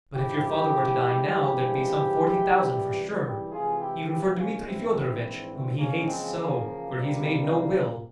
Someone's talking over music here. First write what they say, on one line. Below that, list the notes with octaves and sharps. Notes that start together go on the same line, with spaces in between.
But if your father were to die now, there'd be some forty thousand for sure, even for Dmitri Fyodorovitch whom he hates so, for he's made no will....
G#1 G#2 F3 G#3 E4 G4
G#1 G2 F3 G#3 E4 G4
C#2 C3 E3 G3
E4 G4
F2 C3 E3 G#3 F4 G#4
E4 G4
E4 G4
C#4 F4
A#1 G#2 E3 C4 E4
E2 C#3 F3 G#3 A#3 C#4
G#3 C4
A#3
C#2 C3 G3